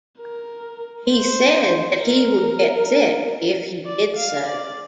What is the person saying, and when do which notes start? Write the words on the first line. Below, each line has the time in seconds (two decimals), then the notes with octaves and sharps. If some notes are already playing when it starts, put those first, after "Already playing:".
He said that he would get sick if he did so.
0.20 A#4
1.11 C5
2.02 A#4
3.86 D5
4.16 F5
4.46 D5